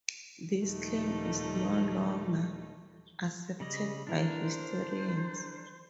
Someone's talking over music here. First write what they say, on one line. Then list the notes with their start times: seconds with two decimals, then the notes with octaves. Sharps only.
This claim is no longer accepted by historians.
0.65 D#2 A#2 F3 G3 A3 D#4
3.60 C#3 G3 D#5
4.07 D3 D4 E4 A#4 B4
4.42 C5